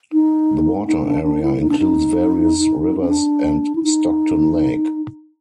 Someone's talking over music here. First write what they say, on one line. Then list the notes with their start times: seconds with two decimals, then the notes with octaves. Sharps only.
The water area includes various rivers and Stockton Lake.
0.13 D#4
0.87 D#4
1.06 D4
1.23 D4
1.42 E4
1.61 D#4
1.70 D4
1.79 D#4
3.01 C#4
3.09 D4
3.75 E4
3.83 D#4